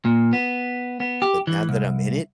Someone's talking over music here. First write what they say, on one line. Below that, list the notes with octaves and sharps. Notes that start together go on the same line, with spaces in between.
But now that I'm in it,
A#2
B3
B3
G4
E3
C2